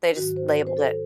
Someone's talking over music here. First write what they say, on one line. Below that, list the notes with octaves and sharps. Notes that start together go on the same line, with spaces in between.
They just labeled it.
G#2 D#3 F#3 F#4
C5
C5
A4